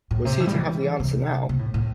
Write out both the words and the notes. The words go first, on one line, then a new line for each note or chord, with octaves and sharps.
Was he to have the answer now?
A2
C3
E3
G3
E3
C3
C3
A2
A2